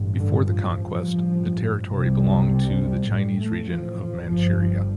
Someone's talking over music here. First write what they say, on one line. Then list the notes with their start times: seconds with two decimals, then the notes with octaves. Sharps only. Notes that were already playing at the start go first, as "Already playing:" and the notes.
Before the conquest, the territory belonged to the Chinese region of Manchuria.
Already playing: A1 G2
0.18 D3
0.47 F3
0.77 A1 G2
1.93 C2 C3 G3
3.10 A1 A2 G3
3.39 A3
3.69 F3
3.99 F3
4.28 G1 G2 F3
4.58 F3